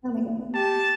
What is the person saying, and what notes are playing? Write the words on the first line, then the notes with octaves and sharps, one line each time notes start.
Oh my god.
G4 A5